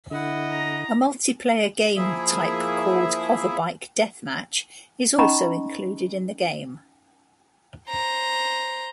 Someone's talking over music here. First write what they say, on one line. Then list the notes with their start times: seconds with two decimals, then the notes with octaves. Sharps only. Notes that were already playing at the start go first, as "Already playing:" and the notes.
A multiplayer game type called Hoverbike deathmatch is also included in the game.
0.11 D3 E4 D#5 F#5
0.52 A#5
1.96 F3 A#3 E4 G#4 E5
5.18 C#4 D#4 D#5 A#5 B5 C#6
7.89 C5 A#5